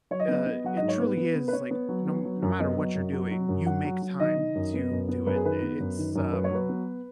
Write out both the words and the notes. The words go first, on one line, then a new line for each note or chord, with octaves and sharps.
uh, it truly is, like, no m no matter what you're doing, you make time to do it, i it's, um,
F#3 C#5
D#5
B3
B3
F#3 F#5
G#2 D#5
C#5
B3 B4
B3
B3
B4
B3 C#5
B3
F#3
B3
F#3
F#2
B3 D#5
F#3
F#2
F#3
F#3
F#2
F#3 F#5
F#3
F#3
D#3 D#5
D#3
F#2
B3
F#2
B3
F#2 B4
G#4
D#3 B4
B3
F#2
D#3
F#2
F#3 B4
C#5
F#3 B4
B3